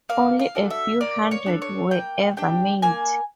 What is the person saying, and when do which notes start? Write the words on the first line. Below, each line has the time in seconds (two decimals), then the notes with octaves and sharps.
Only a few hundred were ever made.
0.09 A#3 F5
0.39 F5
0.55 D4 F#4 A4
0.70 E5
1.01 A#3 D5
1.31 C#5
1.46 D4 F#4 A4
1.62 C#5
1.91 A#3 G5
2.37 D4 G4 G5
2.82 A#3 G#5